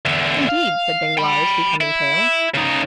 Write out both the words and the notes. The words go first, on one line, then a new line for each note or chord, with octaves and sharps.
"Indeed?" said Danglars, becoming pale.
E2 D3
F5
G5 B5
E4
C#3 D#4